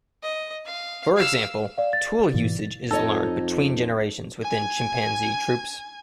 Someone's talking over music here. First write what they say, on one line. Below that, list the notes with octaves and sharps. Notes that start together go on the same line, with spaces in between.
For example, tool usage is learned between generations within chimpanzee troupes.
D#5
F5
F5 E6
D5 F5
A6
G#2 B2 E3
F2 D#4 A4 C#5 D#5
G#5 G#6